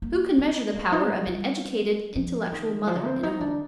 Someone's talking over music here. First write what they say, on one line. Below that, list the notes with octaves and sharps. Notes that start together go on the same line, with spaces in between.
Who can measure the power of an educated, intellectual mother in a home?
A#3
C4
A#3
D#4
G3
G3
F3
D#3
F3
C4
D#4
D4